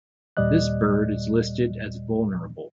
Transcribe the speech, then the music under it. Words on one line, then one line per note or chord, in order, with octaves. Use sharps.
This bird is listed as vulnerable.
D#2 A#2 G3 D5 D#5 F#6